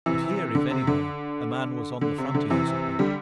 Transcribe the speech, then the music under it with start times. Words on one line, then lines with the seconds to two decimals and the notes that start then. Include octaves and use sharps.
But here, if anywhere, a man was on the frontiers of hope.
0.06 C3 E3
0.55 D3
0.71 C3
0.87 D3
2.01 D3
2.18 C3
2.34 D3
2.50 C3 E3
2.99 D3 G3